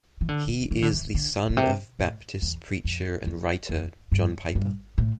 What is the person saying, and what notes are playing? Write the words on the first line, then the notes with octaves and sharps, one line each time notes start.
He is the son of Baptist preacher and writer John Piper.
E3
D3
E3
D3
E3
D3
B2
C3
A2
E2
F2
F2
F2
G2
G2
A2